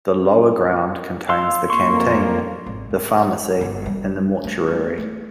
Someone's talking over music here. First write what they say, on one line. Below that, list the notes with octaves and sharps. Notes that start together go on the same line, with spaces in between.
The lower ground contains the canteen, the pharmacy and the mortuary.
F5 C6 E6
F2 A#3 C6 C#6
G#1
G#1
G1
G3
A3
A3